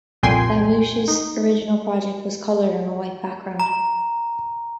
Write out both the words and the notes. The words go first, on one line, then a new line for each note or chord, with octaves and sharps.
Lamouche's original project was coloured on a white background.
C2 F2 A#2 G5 G#5 C6
D#4
A#5